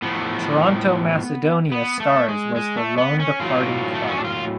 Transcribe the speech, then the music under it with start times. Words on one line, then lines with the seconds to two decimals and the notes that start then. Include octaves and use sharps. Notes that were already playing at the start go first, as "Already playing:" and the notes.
Toronto Macedonia Stars was the lone departing club.
0.02 A2 F3 B3
1.72 B3
2.00 A3
2.28 G#3
2.56 G#3
2.77 A3
2.98 B3
3.19 C#4
3.40 A2 F#3 F4
3.94 A3
4.02 B3
4.09 C#4
4.17 D4
4.24 F4